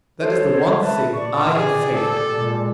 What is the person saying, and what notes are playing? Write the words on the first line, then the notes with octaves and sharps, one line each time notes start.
That is the one thing I have faith in!
A4 C5 C#5
B4 E5 A5
A#2 D5 A5 C#6
G4 G#4 D5
A4
A#2 G#3